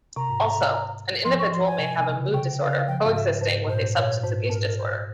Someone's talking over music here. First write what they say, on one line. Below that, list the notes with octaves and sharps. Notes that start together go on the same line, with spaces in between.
Also, an individual may have a mood disorder coexisting with a substance abuse disorder.
C3 A#5
G#2
C3
F3 C6
C#6
F3 C6
G#5
C3
C3
C3
C#3
C3 G5
C#3 F5
F3 G5
G#2 F5
E5
G#2 C5
A#2
G#2 C5
A#2 C#5
G#2 C5
G#2 A#4
A#4
C5